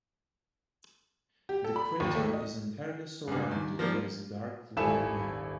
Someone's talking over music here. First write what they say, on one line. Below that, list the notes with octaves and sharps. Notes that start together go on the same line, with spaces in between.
The crater is entirely surrounded by the dark lunar mare.
G4
A4
B5
D#2
A3
D#5
C#2 G2
D#2
F3 G3 A#3
D#1 G#1 E4 A4 G#5 E7